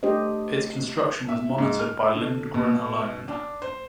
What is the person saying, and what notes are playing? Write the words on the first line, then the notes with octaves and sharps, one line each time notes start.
Its construction was monitored by Lindgren alone.
A3 D4 G4 C5 D#5
E5
G#2
F6
D3
B2
D4
C5